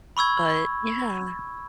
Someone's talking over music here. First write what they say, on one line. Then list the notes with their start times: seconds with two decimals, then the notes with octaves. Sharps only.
but yeah.
0.17 B5 C#6 E6 G#6